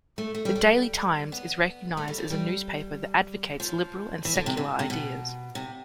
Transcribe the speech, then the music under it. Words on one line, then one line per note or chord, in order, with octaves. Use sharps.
The "Daily Times" is recognized as a newspaper that advocates liberal and secular ideas.
A3
A3
G3
G3
B3
A3
G3
F3
G3
F3
E3
D3
C3
C3
C3
B2
C3